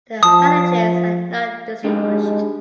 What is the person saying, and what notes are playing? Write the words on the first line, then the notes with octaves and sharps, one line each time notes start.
The halogens are not distinguished.
F3 A5 D#6
G#3 D4 D#4 G4